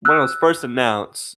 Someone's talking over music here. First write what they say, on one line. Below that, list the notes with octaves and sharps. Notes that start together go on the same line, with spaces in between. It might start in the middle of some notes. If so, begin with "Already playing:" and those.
when it was first announced
E6 F#6